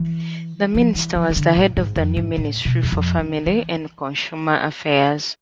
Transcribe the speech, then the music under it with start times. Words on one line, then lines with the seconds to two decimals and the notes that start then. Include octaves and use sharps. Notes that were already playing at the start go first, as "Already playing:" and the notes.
The minister was the head of the new Ministry for Family and Consumer Affairs.
Already playing: E3
0.75 F3
0.95 E3
1.15 F3
1.30 E3
1.36 D3
1.57 A2
1.77 G#2
1.96 F2
2.17 G#2
2.38 A2
2.65 B2
2.83 E2
2.92 F2
3.19 D3
3.46 E3